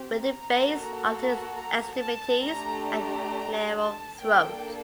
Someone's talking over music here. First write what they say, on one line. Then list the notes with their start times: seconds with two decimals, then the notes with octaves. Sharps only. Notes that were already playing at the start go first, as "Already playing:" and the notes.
With the base of the extremities and narrow throat.
Already playing: C4 G4
0.18 A#5
0.62 A#3 F#4 A4
1.07 A#5
1.53 A#5
1.97 A5
2.42 A3 D4 G4 A#5
2.86 A#5
3.76 A5
4.20 A#3 D4 A4 G5